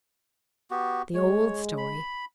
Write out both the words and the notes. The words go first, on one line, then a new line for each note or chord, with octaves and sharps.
The old story.
B3 F#4 G4
G#3 C#5
B5